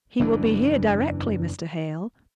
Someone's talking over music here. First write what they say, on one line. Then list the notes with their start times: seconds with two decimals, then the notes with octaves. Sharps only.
He will be here directly, Mr. Hale.
0.19 F#1 E2 E3 D4